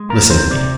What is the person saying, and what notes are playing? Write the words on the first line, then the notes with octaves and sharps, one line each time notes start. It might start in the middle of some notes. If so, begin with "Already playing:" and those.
Listen to me.
Already playing: G#3
A#2 A#4
C4 C5
C3 D5